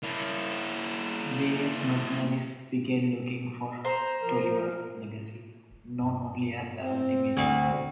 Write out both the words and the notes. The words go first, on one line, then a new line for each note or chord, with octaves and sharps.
Various mercenaries began looking for Tolliver's legacy, known only as the ultimate weapon.
A#3 E4
C5 A#5
F3 A#4
F1
G2
C4
D2